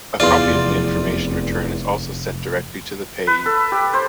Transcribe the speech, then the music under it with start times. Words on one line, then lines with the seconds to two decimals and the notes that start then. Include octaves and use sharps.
A copy of the information return is also sent directly to the payee.
0.20 F1 E2 F4 D5 C6
3.27 B4
3.46 A4
3.72 G4
3.93 C5